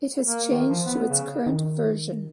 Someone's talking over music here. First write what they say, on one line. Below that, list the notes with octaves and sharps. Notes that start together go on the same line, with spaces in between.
It has changed to its current version.
A#3
D#3
F3
B3
C#3
D#3